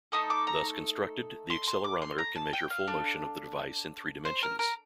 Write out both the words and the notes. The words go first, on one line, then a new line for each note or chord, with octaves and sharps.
Thus constructed, the accelerometer can measure full motion of the device in three dimensions.
A3 D#4 A4 D#6
D6
A#5
C6
C6
D6
C6
A#5
A5
G5
F5
D4 A4
C5
A#4
A#4